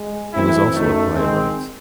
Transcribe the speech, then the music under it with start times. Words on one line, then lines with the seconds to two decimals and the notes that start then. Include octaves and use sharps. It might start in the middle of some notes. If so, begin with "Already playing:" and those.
He was also a playwright.
Already playing: G#3
0.33 F#2 E3 A3 C4 E4
0.73 F#2 D#3 A3
1.14 D#3 G#3 C4